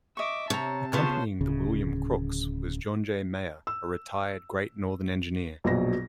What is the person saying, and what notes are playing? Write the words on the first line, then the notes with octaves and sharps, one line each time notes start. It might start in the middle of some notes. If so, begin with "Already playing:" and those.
Accompanying the "William Crooks" was John J. Maher, a retired Great Northern engineer.
D#5 E5 C#6 D6
C3 C#5 A5 A#5
C#3 B3 F4 C5 C#5 A5
D1 C#3
E6
A#1 B2 F#3 A#6